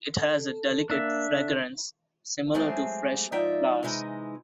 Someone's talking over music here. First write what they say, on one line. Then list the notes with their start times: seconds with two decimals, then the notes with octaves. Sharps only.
It has a delicate fragrance similar to fresh flowers.
0.18 A4
0.90 A#3 D4 E5
1.29 D3
2.54 F#3 G#3 A3 C4 G4 G#4
3.32 G#2 F3 D#4 D5 E5 G5
3.83 C3 E3 G#3 D#4